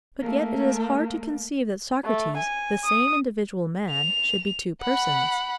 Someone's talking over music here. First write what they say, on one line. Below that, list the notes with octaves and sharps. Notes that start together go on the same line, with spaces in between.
But yet it is hard to conceive that Socrates, the same individual man, should be two persons.
A3 A#3
A3
G#5
D#6
F7
F#5 B5